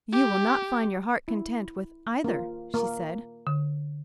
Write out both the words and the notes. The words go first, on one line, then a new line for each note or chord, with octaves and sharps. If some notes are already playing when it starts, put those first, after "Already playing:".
"You will not find your heart content with either," she said.
G4
E4
A#3 F4
A#3
D3